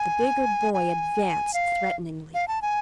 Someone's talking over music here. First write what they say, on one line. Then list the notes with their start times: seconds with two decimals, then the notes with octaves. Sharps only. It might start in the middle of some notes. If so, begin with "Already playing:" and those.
The bigger boy advanced threateningly.
Already playing: G#5
0.74 G#5
1.54 F5
2.34 F5
2.48 A5
2.62 G#5